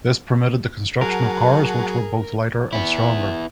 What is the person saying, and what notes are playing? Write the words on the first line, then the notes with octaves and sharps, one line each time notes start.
This permitted the construction of cars which were both lighter and stronger.
F#3 G#4 A#4 F#5 A5
B3 E4